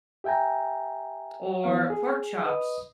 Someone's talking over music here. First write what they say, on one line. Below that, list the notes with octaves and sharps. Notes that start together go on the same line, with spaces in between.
or pork chops.
G4 E5 G5 G#5 A#5
E3 B3 F5
G#4
B4 D#5 D#6